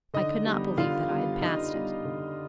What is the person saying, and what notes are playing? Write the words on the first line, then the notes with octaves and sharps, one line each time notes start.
I could not believe that I had passed it.
D3 D#4 D#5
G3 B3
D3 F4 F5
G3 B3
D3 D#4 D#5
G3 B3
D3